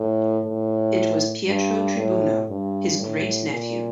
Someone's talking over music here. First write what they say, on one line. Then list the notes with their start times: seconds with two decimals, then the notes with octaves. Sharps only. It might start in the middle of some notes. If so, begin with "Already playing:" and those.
It was Pietro Tribuno, his great-nephew.
Already playing: A2
0.44 A2
1.47 G2
1.98 A2
2.49 G2
3.00 A2
3.51 A#2